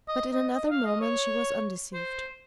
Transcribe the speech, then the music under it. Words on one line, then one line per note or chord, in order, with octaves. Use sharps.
But in another moment she was undeceived.
D#5
D#5
D#5
F5
D#5
C#5
C5